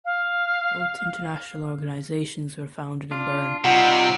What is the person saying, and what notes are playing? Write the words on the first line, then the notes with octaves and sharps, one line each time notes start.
Both international organizations were founded in Bern.
F5
D4 F4
C3 G3 D#4 F4 C#5 F#5